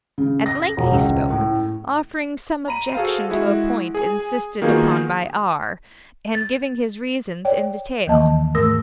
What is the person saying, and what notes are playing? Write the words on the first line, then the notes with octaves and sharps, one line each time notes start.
At length he spoke; offering some objection to a point insisted upon by R., and giving his reasons in detail.
C#3
A#6
E1
C#2
A2
A#5 B5 D#7
F#4 G#4 A4 C5 F5
G#3 E4 F#4 G#4
G#4 G#5
D#3 A#3 B3 F4 F#4 G#4
A6
C#5 D5 G5
D#2 D#3 E3 A#3 D#5 A5
G#2 A3 A#4 D#6 E6 A#6